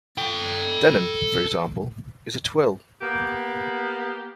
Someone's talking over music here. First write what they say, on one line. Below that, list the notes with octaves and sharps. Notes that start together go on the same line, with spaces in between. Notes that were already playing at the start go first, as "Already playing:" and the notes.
Denim, for example, is a twill.
A4 G5
A#3 B3 G4